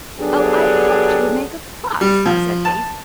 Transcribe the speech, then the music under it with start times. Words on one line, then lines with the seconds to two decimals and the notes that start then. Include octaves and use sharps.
"Oh, I hoped you would make a fuss!" said Daisy.
0.19 D3 F#3 B3 D4 G4 G#4
2.01 G3
2.26 F3
2.65 A5